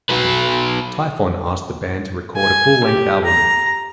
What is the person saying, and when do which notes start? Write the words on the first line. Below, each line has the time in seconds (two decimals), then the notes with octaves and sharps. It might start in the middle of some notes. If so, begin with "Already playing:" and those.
Tyfon asked the band to record a full-length album.
0.09 F#3 B4
2.36 G#5
2.84 G4
3.24 A#5